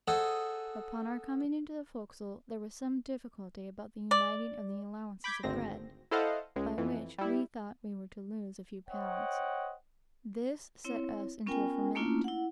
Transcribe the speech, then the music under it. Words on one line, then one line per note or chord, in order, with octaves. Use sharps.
Upon our coming into the forecastle, there was some difficulty about the uniting of the allowances of bread, by which we thought we were to lose a few pounds. This set us into a ferment.
G#4 A4 C5 D#5 F#5 G#5
D5
B5 D6 G6 G#6 B6
G#1 D2 C4 A#6
E4 A4 C5 D#5 F5 F#5
C#2 G#3
F2 E3
G3 E4
C5 C#5 D#5 F#5 G5
C4 E4 C#5
B3 C#4 F4 A#4 G5 G#5
A3 A#3 C#4 D4 E4 F4
E4 F#5